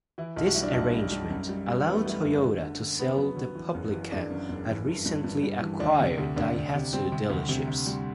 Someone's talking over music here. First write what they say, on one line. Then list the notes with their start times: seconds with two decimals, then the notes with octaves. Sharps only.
This arrangement allowed Toyota to sell the Publica at recently acquired Daihatsu dealerships.
0.18 E3 E4
0.36 B1
0.46 F#4
0.55 G3 E4
0.63 D4
0.72 B1 E4
0.94 G3
1.12 G3
1.31 F#2
1.49 G3
1.68 G3
1.87 E3 B3
1.94 A3
2.06 G3 A3
2.24 F#1
2.44 D3
2.62 D3
2.80 D3
2.99 D3 B3
3.18 F#3
3.37 F#3
3.55 E3
3.74 F#1
3.93 E3
4.12 F#1 D4
4.30 F#2
4.49 F#1
4.68 E3
4.86 G2
5.06 G2
5.24 G2
5.43 G3
5.62 E3
5.80 D2 D4
6.00 C3
6.18 D2
6.36 D2 D4
6.55 D2
6.75 C3
6.93 G3 C4
7.12 C3
7.30 D2
7.49 C3
7.68 C3
7.86 G3